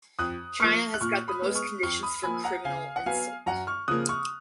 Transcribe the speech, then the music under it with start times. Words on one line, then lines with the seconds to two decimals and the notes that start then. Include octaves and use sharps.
China has got the most conditions for criminal insult.
0.19 F2 D#6 F#6
0.60 F3 A#3 C#6 F6
0.94 F#6
1.01 A#2 C#6 F6
1.28 B5 D#6
1.42 G#3 B3
1.55 C#6 F6
1.83 F2 C#6 F6
2.03 B5 D#6
2.23 F3 A#3 G#5 B5
2.44 F#5 A#5
2.65 C#3 F5 G#5
2.96 F#5
3.06 F#3 B3 F5 G#5
3.46 F#2 F#5 A#5
3.67 C#6 F6
3.88 C#3 F3 A#3 D#6 F#6
4.09 C#6 F6